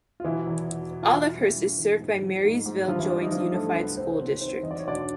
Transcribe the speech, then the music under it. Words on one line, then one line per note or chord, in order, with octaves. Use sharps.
Olivehurst is served by Marysville Joint Unified School District.
F4
B2 E3 E4
E2
B2
B2
F4
E3 E4
G2
G2
E3
G#2
F3
G#2
G#2
G2 F3 F4
E3 E4
G2 D4
D#4
G2 F3 F4
G2 A3 A4
C2 B3 B4
C2 C4 C5
C#5
C2 C4 C5
D#3 C4 C5
E2 D#5
D5
C#5
B2 D4 D5